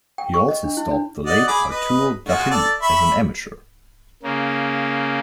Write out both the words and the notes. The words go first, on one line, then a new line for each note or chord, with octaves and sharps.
He also stopped the late Arturo Gatti as an amateur.
G5
C#6
D#5
D4
E4
D4
D5 D#5 F#5
G#4 B5 D6
B4 D#5
G#3 F4 F#4
A4 D5
E5 B5 C#6
C#3 A#3